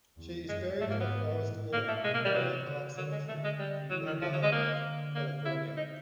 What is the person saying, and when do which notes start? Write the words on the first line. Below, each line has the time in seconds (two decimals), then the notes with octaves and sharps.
She is buried in the Forest Lawn Memorial Park Cemetery in Glendale, California.
0.17 E2
0.49 F#2 G#3
0.79 G#2 A3
0.90 A#3
1.00 B3
1.41 A2
1.73 A#3
1.88 A3
2.04 B2 G#3
2.14 A#3
2.25 G3
2.34 C3 F#3
2.66 C#3
2.97 D3 F#3
3.12 G#3
3.27 D3 A3
3.44 G#3
3.58 G3
3.90 E3 F#3
4.06 D#3
4.21 D3 F3
4.32 F#3
4.42 G#3
4.52 A#3
4.84 D3
5.15 A#3
5.45 E4
5.77 D#4